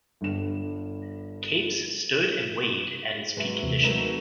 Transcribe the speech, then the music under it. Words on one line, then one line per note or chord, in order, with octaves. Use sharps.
Capes stood and weighed at his peak condition.
G1 G2 D3 E7
G#2 F#3 G#3 B4 E5
D#2 C3 E3 C4
F#3 G#3 A3 C4 D#4 A#4 B4